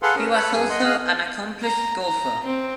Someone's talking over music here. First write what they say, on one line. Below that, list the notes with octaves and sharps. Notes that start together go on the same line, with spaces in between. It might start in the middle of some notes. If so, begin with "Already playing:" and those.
He was also an accomplished golfer.
G#4 A4 B4 F5 F#5 C6
C#4 G#4 A#4
A4 B4 C#5 B5
F#2 G#4 G#5
D#5 F#5 C6
G#4 D#5 F5 G#5 F6 F#6
A#5
A#5
C4